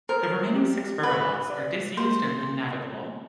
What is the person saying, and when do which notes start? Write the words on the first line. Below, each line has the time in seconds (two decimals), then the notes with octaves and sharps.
The remaining six river locks are disused and unnavigable.
0.09 A#4 C5
0.56 G4
1.03 B4 F#5
1.50 D5
1.97 A#3 C5